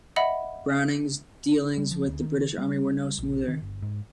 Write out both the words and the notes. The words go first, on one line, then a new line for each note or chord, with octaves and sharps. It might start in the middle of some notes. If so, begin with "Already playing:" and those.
Browning's dealings with the British Army were no smoother.
D#5 E5 F#5 B5
G3
F3
D2
D#3
G3
A#1
D#3
G1
G#2